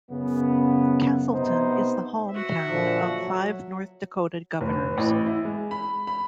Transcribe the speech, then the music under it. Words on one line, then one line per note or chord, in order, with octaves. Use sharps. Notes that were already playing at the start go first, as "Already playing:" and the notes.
Casselton is the hometown of five North Dakota governors.
F#2 C#3 B3
C3 B3 D#4 C5
F#4 E5
A#2 D3 F3
F#3
F1
A1
E4
G#3
B5
B5